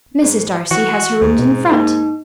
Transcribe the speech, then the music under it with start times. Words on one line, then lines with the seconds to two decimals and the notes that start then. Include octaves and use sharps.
Mrs. Darcy has her rooms in front.
0.22 G#2
0.71 E3 F#4
1.22 D#2 G#2
1.39 B2
1.72 A#3 D#4